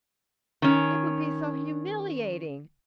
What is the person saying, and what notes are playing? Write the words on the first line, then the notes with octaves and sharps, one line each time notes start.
It would be so humiliating.
D#3 C#4